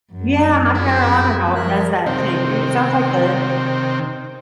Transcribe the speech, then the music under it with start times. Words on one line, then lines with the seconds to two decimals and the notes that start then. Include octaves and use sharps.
Yeah, my Carolina dog does that too. It sounds like the
0.13 F#2
0.74 E4 F4 G#4 B4
1.55 F3 G#4 A#4 E5 F#6
2.06 C3 D#3 C4